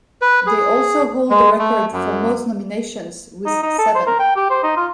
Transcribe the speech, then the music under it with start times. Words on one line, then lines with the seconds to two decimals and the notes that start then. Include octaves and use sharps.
They also hold the record for most nominations, with seven.
0.22 B4
0.47 G#4
1.30 G#3
1.59 A3
1.92 F#2
3.46 D#4
3.63 D#4
3.79 A4
3.95 C5
4.07 A#4
4.19 G5
4.36 G4
4.50 C5
4.63 D#4
4.77 F4